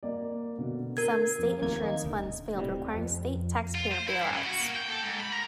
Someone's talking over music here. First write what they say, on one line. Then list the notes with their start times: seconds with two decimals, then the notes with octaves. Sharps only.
Some state insurance funds failed, requiring state taxpayer bailouts.
0.03 A#3 D5
0.58 B2 D3
0.97 A#4 G#6
1.39 F2 A#3
1.62 D#2 F#3 A3 A#3 C4 G#6
1.83 D#4
2.04 D1 D3 D4
2.55 A2 C3 G3
2.93 F2
3.75 F4
3.91 C5
4.08 E4
4.20 G2
4.33 C#3
4.45 F#4
4.60 A#3
4.75 G5
4.89 A4
5.03 G#2
5.20 B5
5.32 A#4